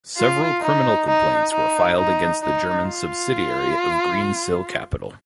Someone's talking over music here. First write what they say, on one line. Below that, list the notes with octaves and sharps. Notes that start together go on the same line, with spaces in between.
Several criminal complaints were filed against the German subsidiary of Greensill Capital.
F4
D#4
D#4
D#4
D#4
D#4
F4